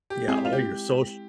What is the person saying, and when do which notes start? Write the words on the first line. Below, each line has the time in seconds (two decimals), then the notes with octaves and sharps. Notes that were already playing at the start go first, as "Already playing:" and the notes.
yeah, all your soc
0.10 G4
0.28 G#3 C4 E4 G#4
0.36 G4
0.45 F4
0.52 G4